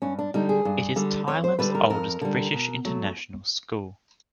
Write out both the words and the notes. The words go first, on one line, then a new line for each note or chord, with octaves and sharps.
It is Thailand's oldest British international school.
G2 C#4
D4
D3 G3 D#4
G#4
G2
D3 G3
F2 C#5
C5
D3 G3 B4
A#4
F2 A#4
D3 G3
B2
F#3 A3